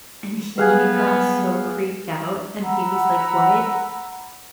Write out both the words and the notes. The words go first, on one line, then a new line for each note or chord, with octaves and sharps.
And he got so creeped out, and he was like, "What?
F#3 G3 B3 G#4 B4 F5 F#6 G#6
F#5 A#5 B5 E6